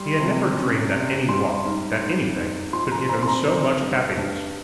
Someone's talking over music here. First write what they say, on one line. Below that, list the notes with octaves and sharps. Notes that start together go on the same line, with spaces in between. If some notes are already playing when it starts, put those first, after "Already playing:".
He had never dreamed that any walk--that anything--could give him so much happiness.
Already playing: G3 C6
C3
C#4
C3
G3 C6
G#2
G#2
G#2
F3 C6
A#5
C4 A#5
C6
A#5
C4 C5
G2
G2